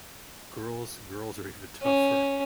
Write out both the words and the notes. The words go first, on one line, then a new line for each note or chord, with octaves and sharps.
girls girls are even tougher.
C#4